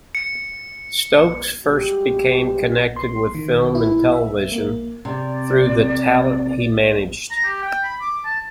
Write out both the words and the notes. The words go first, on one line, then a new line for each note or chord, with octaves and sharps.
Stokes first became connected with Film and Television through the talent he managed.
C#7
G3 G#3 F#4 G4
C6
D#3
E4
E5
A#3
C3 D5
A#5
G4
G5
B5
D6
A5